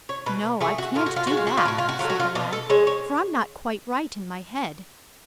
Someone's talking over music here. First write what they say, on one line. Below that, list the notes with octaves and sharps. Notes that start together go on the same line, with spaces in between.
"No, I can't do that," said the lad; "for I'm not quite right in my head."
C#5
B2 B4
A3 G#4
F#4
A2 F4
F#4
F4
G#3 F#4
F4
F#4
F4
A2 F#4
F4
F#4
F#3 A3 F4
F#4
F4
B2 D4
A4
G#3 C#5
C#5